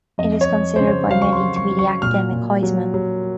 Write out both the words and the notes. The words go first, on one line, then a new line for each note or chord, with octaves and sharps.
It is considered by many to be the Academic Heisman.
F2 D#5
C#5
F2
C#3 C5
C#5
F#3 F5
C#6
C6
F#3
C#6
F#3
C#6
A#2 F6
A#2
F#3
F#3